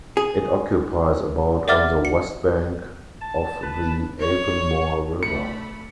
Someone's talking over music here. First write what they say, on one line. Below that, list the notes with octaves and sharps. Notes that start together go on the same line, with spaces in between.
It occupies about on the west bank of the Avonmore River.
G#4
D5 E5 F#5 D6 F6 A6
C#7
A5
B4 A5
C#5
A3 D4 B5 C#7